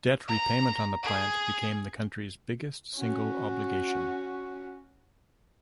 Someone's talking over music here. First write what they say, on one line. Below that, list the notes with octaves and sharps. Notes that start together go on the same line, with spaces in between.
Debt repayment on the plant became the country's biggest single obligation.
A#5
G#4
C#4 F#4